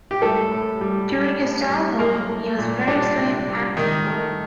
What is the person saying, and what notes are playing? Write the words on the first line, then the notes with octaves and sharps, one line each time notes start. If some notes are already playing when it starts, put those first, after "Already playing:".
During his childhood he was very slim and feeble.
G4
G3 A3 A4
A2
G3
G3
A2
G3
F#3 A#3 A#4
A3
A#2
G3 D4 D5
C3
G3
D#3 D#4
A3